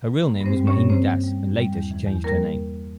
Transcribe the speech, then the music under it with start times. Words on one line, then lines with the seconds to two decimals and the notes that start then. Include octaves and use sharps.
Her real name was Mohini Das and later she changed her name.
0.23 A#3
0.40 G2
0.46 C4 C5
0.57 G3
0.67 C#4 C#5
0.73 G2
0.90 A#3 C4 C5
1.06 G2
1.24 G3
1.40 G2
1.57 G3
1.74 E2
1.91 E3
2.07 E2
2.24 G3 A#3 A#4